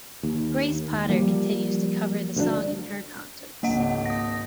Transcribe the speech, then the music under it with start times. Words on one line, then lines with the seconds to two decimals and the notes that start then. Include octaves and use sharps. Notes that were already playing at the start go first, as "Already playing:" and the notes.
Grace Potter continues to cover the song in her concerts.
0.23 D#2
1.09 F3 G3 A#3
2.36 D2 G2 D4
3.63 G#1 C#2 A#3 D#5 F#5
4.06 D#6 A#6